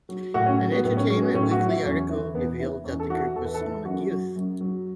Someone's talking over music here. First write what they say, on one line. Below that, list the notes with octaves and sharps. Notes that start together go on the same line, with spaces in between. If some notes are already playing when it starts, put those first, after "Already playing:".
An "Entertainment Weekly" article revealed that the group was Sonic Youth.
F#3
A2 F#4
C#4
F#3
B3
A2 B3
C#4
F#3 C#4
B3
A2 C#4
F#4
F#3
E4
E2 C#4
E3
E2 B3
E3
E2 C#4
A4
E3 F#4
E2 A4
B4
A4
E3
F#2 F#4
F#3
F#2
F#3